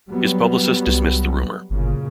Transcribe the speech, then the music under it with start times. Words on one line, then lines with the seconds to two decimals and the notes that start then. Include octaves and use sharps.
His publicist dismissed the rumor.
0.10 F#3 G3 B3
0.86 C2
1.70 G1 F#2 A#2 C#3